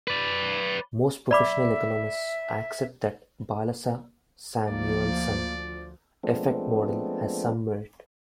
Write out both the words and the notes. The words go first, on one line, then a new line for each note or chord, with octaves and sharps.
Most professional economists accept that the Balassa-Samuelson effect model has some merit.
B4 D5
D5 E5 B5 D6
D2 F3 A#3 D5
F3 G#3 A3 B3 C4 D4